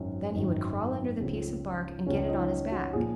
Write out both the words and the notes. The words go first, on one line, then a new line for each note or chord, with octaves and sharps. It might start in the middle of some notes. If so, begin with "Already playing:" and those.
Then he would crawl under the piece of bark and get it on his back.
Already playing: G#1 F#2 D#3 C#4
G#1 F#2 D#3 D#4
C#2 C#3 F3 C4
C#2 C#3 F3 C#4
D#4
F#4
A#2 F3 G#4